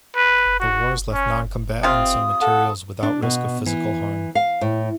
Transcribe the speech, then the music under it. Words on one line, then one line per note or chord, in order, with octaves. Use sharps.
The wars left noncombatants and materials without risk of physical harm.
B4
F#4
C#4
C3 C4 F4 D#6
A4 F#5
D4
B2
E3
F5
A2